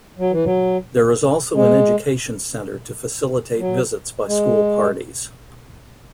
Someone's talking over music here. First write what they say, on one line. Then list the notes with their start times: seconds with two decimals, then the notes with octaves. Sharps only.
There is also an education centre to facilitate visits by school parties.
0.19 F#3
0.31 E3
0.44 F#3
1.55 G#3
3.59 F#3
4.28 G#3